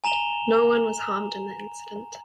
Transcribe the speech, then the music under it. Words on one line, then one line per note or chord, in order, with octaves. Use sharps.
No one was harmed in the incident.
G#5 A#5 E7 F7 G7